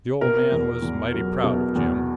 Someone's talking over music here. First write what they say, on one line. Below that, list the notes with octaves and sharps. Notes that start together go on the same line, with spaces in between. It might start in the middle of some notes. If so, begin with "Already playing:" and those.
The old man was mighty proud of Jim.
B2 A#4
E2
E2
F#3
B2
E2